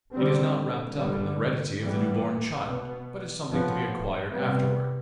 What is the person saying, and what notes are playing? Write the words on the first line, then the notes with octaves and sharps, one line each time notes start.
It is not wrapped up in the heredity of the new-born child, but is something to be acquired afterward.
D3 G3 C4
D3 G3 B3
E3 G3 B3
B2 B3
A2 F3 B3
C3 G3 B3